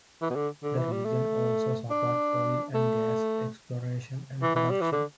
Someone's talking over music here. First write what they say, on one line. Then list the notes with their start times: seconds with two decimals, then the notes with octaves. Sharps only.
The region also supports oil and gas exploration and production.
0.22 E3
0.30 B2
0.35 D3
0.63 D3
0.78 E3
0.92 G3
1.05 A3
1.90 D4
2.74 A3
4.42 E3
4.56 E3
4.70 G3
4.81 E3
4.92 D3